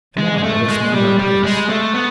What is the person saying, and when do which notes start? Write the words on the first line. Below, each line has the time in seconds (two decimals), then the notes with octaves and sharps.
Come on, let us mend our pace!
0.18 G#3
0.38 G#3
0.43 A3
0.69 G#3
0.94 G3
1.19 G3
1.44 G#3
1.69 A3
1.94 B3